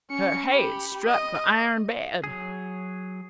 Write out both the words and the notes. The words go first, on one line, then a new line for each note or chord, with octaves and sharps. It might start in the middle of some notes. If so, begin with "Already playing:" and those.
Her head struck the iron bed.
C#4 C#7
G4 B5
D#5 D#6
F#3 G#4